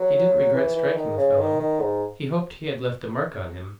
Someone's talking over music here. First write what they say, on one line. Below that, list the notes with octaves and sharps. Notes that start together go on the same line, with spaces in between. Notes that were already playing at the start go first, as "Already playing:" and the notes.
He didn't regret striking the fellow--he hoped he had left a mark on him.
Already playing: F#3
E3
E3
D#3
C#3
D#3
D#3
G#2